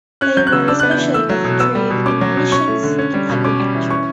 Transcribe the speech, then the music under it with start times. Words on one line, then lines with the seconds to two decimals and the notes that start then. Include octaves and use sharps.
They were especially concentrated in munitions and agriculture.
0.21 C#4 F#6
0.37 F#3 G6
0.47 F#6
0.52 C#3 E6
0.68 D4 E6
0.80 F#6
0.83 B3
0.91 G6
0.98 E3
1.13 A3 E6
1.30 F#3
1.44 B2
1.60 B3 E6
1.75 G3
1.90 B2
2.06 C#4 D6
2.21 F#3
2.37 B2
2.52 C#4 C#6
2.68 A3
2.83 D3
2.99 C#4
3.14 G3
3.29 B2
3.44 C#4 D6
3.60 G3
3.75 E3
3.90 C#4 C#6